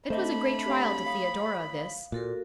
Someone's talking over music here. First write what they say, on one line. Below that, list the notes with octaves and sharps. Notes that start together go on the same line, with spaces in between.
It was a great trial to Theodora, this.
A3 C4 D4 C5 D#5 E5 A5 B5
G4 C#5 F5
C#5 F5 D#6
A#2 F#4 A4 A#4